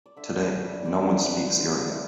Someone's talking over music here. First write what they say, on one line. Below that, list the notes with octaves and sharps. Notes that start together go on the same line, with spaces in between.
Today, no one speaks Irraya.
D5
D3 E5
G3
G3
D3 D5
D5
D3
B4
B3
E4
D3 E4
B3